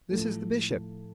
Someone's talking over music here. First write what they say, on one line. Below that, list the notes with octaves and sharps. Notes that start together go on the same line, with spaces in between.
This is the Bishop.
A2 F3 A3